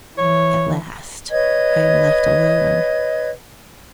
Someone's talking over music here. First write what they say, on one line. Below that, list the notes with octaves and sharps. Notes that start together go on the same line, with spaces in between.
At last I am left alone.
E3 C#5
B4 C#5 D#5 G#6